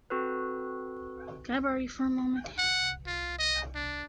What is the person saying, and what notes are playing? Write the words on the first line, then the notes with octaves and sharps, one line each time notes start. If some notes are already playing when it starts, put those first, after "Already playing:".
Can I borrow you for a moment?
C4 F#4 A4 B4
F#5
F4
D#5
D4